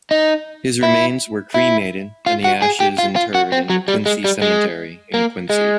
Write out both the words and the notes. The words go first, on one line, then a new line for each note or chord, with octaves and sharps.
His remains were cremated and the ashes interred in Quincy Cemetery in Quincy.
D#4
E4
E4
F4
F#4
G#4
G4
F4
F4
F#4
C4
F#3
G3
G#3
G3
G#3
A#3
G#3